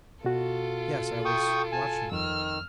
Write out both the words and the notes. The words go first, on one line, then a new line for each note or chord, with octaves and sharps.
"Yes--I was watching you."
B2 F4 F#4 A4
G5 C#6 D#6
G#5 A5
F2 D#3 E6 F6